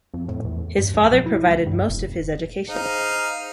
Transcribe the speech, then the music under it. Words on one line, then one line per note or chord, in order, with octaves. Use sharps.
His father provided most of his education.
F2
A2
E2
G2
B1
F#3
E4
C#2
G2
F1
D#4 G#4 C5 F5